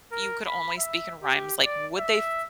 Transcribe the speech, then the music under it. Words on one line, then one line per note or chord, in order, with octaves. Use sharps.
you could only speak in rhymes, like, would they f
A#4
B5
E5
G4
D5
E5